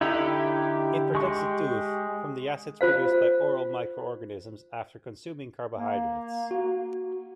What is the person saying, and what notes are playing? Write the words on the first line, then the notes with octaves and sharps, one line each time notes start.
It protects the tooth from the acids produced by oral microorganisms after consuming carbohydrates.
D3 D#4 E4 G4
G#3 C#6
F4 C5 F5
A#3
F#4